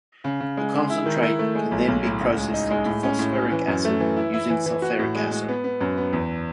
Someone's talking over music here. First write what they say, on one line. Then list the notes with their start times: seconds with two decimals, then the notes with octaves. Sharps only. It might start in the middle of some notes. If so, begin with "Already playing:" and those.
The concentrate can be then processed into phosphoric acid using sulphuric acid.
0.24 C#3
0.40 C#3
0.57 G#3
0.74 G#3
0.90 E4
1.06 D#3
1.23 E4
1.39 A3
1.55 G#3
1.71 B1
1.88 B1
2.04 A2
2.21 C#2
2.37 G#3
2.54 D#4
2.70 G#3
2.86 A2
3.03 C#4
3.19 A2
3.35 C#4
3.52 E3
3.68 F#2
3.85 A3
4.00 E3
4.16 E4
4.34 E4
4.50 E3
4.66 E3
4.82 F#4
4.99 A2
5.15 G#3
5.31 G#3
5.48 B3
5.64 B3
5.81 F#2
5.97 B3
6.13 E2